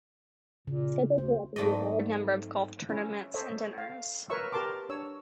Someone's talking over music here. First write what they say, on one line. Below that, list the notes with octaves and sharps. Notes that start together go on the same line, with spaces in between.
Scheduled throughout the year are a number of golf tournaments and dinners.
A#2 C#3
D2 C5
G#2 F#3 A3 C4 D5 D#5
C#4 E4
A4 C5 C#5 D#5 E5
F5
A#4 B4 C#5 E5 C#6 E6
G4 A#4 B4 A5 C6 D6
D4 C#5 E6